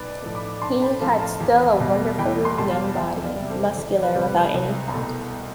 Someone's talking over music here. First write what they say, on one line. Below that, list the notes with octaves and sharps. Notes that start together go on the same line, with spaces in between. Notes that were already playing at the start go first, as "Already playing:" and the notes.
He had still a wonderfully young body: muscular, without any fat.
Already playing: B1 B4 D5
A2 F3 A3
B5 D6
B1 A5 C6
G5 B5
A2 F3 A3 F5 A5
F5 A5
E2
B2 G3
E2 G5 B5
C6
B5
B2 G3 A5 C6
F5 A5
E2 E5 G5
D5 F5
C3 G3
A4 C5
E2 A4
B4
C3 G3
B4
C2
B2 A3